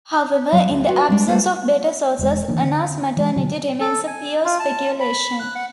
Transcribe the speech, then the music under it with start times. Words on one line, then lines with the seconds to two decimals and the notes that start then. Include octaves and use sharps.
However, in the absence of better sources, Anna's maternity remains a pure speculation.
0.52 F#3 F5
0.70 D2
0.88 F4 F#4 B4
1.08 G3 G#3 D4
1.27 G3 A3 A#3 B4 C5
2.19 E1 G#3
2.48 D#3 E3 A#3 D4
2.63 D3
3.17 E3 G#3
3.36 B2 D3 F#3
3.81 A4
4.07 G#5
4.45 F4
4.59 A5
5.00 B5
5.40 F#6
5.55 F#5